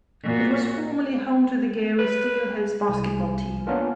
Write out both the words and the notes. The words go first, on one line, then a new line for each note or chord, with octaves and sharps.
It was formerly home to the Gary Steelheads basketball team.
A#2 F#4
B4
C2 G#5
A#3 B3 C#4 D4 F4 A#4